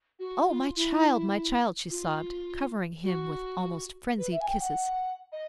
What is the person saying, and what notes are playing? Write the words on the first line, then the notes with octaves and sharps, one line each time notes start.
"Oh! my child! my child!" she sobbed, covering him with almost frenzied kisses.
F#4
F4
E4
F4
F#4
B4
E5
G#5
G5
F#5
D#5